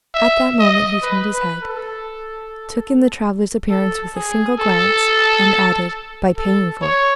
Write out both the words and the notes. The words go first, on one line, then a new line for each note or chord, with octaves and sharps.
At that moment he turned his head, took in the traveller's appearance with a single glance, and added, "By paying for it."
E5
D#5
B4
B4
A4
A4
G#4
A4
A4
C#5